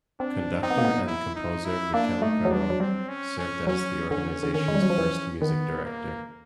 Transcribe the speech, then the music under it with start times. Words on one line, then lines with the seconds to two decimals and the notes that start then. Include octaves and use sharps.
Conductor and composer Michel Perrault served as the organization's first music director.
0.20 C4 D4
0.63 C4 D#4
0.70 B3
0.78 A#3
0.85 B3
1.07 E4
1.36 D#4
1.65 E4
1.93 A#3 D4
2.22 A3 D#4
2.45 F#3
2.51 G3 D4
2.70 F#3
2.80 G3 C4
3.09 C#4
3.39 C#4
3.67 F#3 C#4
4.11 D3 C#4
4.43 D3
4.54 D#3 C#4
4.68 G#3
4.75 G3
4.83 F#3
4.90 F3
4.98 E3
5.41 D#3 B3
5.85 A#3